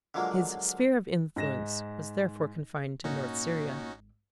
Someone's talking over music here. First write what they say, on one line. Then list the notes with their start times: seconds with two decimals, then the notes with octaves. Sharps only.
His sphere of influence was therefore confined to North Syria.
0.14 D3 F3 F#3 G#3 A#3
1.36 G#2 A#6 E7
3.04 G#1 A#2 C#4 D#4 F#4